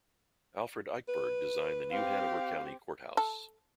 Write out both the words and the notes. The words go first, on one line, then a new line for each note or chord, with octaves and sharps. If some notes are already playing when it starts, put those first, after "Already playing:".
Alfred Eichberg designed the New Hanover County Courthouse.
B4
C4 G4 F5
A4